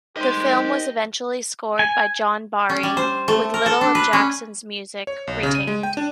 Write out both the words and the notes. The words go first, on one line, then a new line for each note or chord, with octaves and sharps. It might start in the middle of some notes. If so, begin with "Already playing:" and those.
The film was eventually scored by John Barry, with little of Jackson's music retained.
D#4 G4 A#4 C5 D#5 C6
G#5
C#4
G3
C5
A3
A#4
A4
D4
B4
C#4
C#5
B1
C#3
D#7
G#3
G5
D4